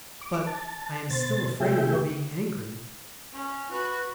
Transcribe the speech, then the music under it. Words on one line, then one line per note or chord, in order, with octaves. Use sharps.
"But I am still afraid of your being angry."
D6
A5
B2 C5 A6
C3 A3 G4 G#4 E5 G5
C#4
F#4 B4